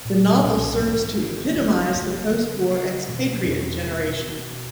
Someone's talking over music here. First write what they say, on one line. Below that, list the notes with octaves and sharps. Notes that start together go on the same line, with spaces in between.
The novel serves to epitomize the post-war expatriate generation.
A#2
A#3
B1 G#3
F#3
F#3
G#1 E3
C#3
F#1
F#1
C#3
C#3
B2 E3
F#3
E2
C#4
B2
B2